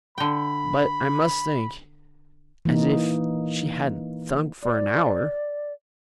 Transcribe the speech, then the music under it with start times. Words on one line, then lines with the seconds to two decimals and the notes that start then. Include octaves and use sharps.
"But I must think--" As if she hadn't thunk for an hour!
0.18 D3 G5 B5
2.65 E3 A#3 D#4
4.62 D5